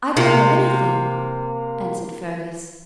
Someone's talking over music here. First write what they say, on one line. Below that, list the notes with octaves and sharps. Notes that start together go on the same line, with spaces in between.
"I don't know anything," answered Fergus.
C3 A#3